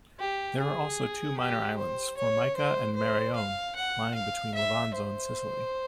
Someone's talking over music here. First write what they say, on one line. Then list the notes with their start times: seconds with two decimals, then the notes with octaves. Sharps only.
There are also two minor islands, Formica and Maraone, lying between Levanzo and Sicily.
0.19 G4
0.58 G#4
1.38 G4
1.78 C5
2.17 C#5
2.57 C5
2.96 C5
3.35 F5
3.75 F#5
4.14 F5
4.54 E5
4.94 C5